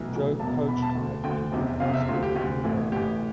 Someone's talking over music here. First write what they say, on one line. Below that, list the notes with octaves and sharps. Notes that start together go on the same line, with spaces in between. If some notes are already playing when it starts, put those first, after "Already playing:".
Joe coached at Pekin High School in Illinois.
Already playing: B1 A2 E3
B1 A2 E3
E1 E2 B2 A5
E1 E2 B2 B5
A5
D2 D3
D2 D3 G5
F1 E2 C3
F1 E2 C3 F5
E5
D2 D3 F4
G4
D2 D3 G4
A1 A2 E3
A1 A2 E3 G4